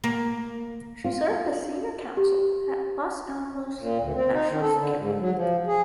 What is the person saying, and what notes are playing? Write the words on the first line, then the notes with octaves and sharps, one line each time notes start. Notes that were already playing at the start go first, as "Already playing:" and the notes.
She served as senior counsel at Los Alamos National Security.
A#3
F4
G4
A#2
D2
C4
D#4
D#3
A4
D3
G#2
F#3
F3
G#4